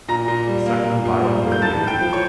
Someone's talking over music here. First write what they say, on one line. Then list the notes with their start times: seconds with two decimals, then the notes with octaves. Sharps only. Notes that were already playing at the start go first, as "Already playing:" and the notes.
A suckingbottle for the baby.
0.08 A#2 A#5 A#6
0.28 A#2
0.47 G3
0.66 A#3
0.85 A#2
1.05 A#2
1.24 G3
1.43 A#3
1.52 G6
1.62 A2 A5 A6
1.81 A2
1.87 G5 G6
2.01 F3
2.13 C#5 C#6